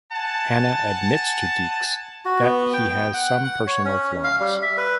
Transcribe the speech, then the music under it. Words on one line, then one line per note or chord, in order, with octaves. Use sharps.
Hanna admits to Deeks that he has some personal flaws.
F#5 G#5 A5
F#4
B3
G5
G5
F#5
F#5
C#5
C#4
F5
G3
E5
B4